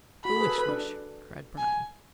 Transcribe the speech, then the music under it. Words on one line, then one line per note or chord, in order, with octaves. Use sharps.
"A foolish wish," cried Bryan.
F#4 B5
G#4
B4
A4
B4
D4
G#5